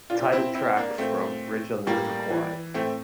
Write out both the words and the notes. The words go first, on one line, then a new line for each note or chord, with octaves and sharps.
title track from Bridge on the River Kwai.
A#2 D4 F4
C4 E4
C4 E4
A#3 D4
A#2 A3 C4
A2 G3 A#3
E3
A2 A3 C4